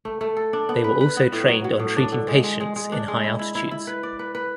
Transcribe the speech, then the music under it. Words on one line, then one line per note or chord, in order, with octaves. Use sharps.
They were also trained on treating patients in high altitudes.
A3
A3
A4
D4
B3
B4
B4
B3
A2
F#3
F#3
A2
D4
D3
G#3
G#3
G#3
G#3
D4
G#3
E4
E4
E4
E4
B4
D5
B4
B4